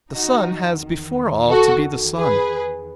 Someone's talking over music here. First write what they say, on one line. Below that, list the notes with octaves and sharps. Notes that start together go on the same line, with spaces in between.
The sun has before all to be the sun.
E2 D#3 D#4 F#4
F#4 A4
G#4 B4